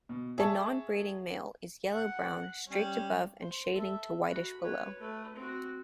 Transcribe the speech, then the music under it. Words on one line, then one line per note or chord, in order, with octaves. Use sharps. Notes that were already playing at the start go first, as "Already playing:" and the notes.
The non-breeding male is yellow-brown, streaked above and shading to whitish below.
B2
G#4 E5 A5 C#6
F#5
G3 C#4
C5
A4 E5
F#4 B5
B4 C#5
A3 B4
C4 F#4